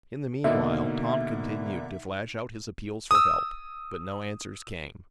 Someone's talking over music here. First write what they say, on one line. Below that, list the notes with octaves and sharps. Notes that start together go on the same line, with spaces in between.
In the meanwhile, Tom continued to flash out his appeals for help, but no answers came.
B2 D3 A#3 D#4 E5
D#6 E6